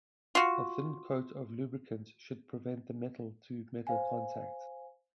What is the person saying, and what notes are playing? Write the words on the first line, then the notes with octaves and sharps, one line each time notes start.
A thin coat of lubricant should prevent the metal to metal contact.
F4 F#4
C5 F5 G#5